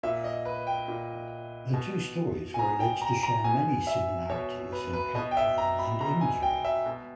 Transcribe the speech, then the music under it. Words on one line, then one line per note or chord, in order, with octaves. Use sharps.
The two stories were alleged to share many similarities in plot line and imagery.
A#2 E5
D#5
B4
G5
A#2
B2
G#5
B2 A#5
G5
A#5
A#5
B2 G#5
E5
B2 C#5
B4
B4
B2 D#5
G5
E5
A#5
B5
B2 A#5
G#5
G5
E5
B2